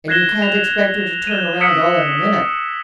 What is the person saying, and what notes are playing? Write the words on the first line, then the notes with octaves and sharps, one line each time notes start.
And you can't expect her to turn round all in a minute.
F#6 G#6 A#6 C7 E7 G7
F7
D#7 E7 G7
D#6 E6 B6 C#7 D7 E7